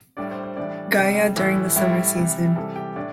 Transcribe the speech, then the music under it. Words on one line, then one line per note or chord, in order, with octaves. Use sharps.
Gaya during the summer season.
A2 G3 D4 D5
C5
C5
A2 E3 G3 D4 D5
C3 G3
A2 E3 G3 E4 E5
A2 G3 E4 E5
C3 E3 G3
C3 E3 G3 A4 A5
G4 G5
A2 D4 D5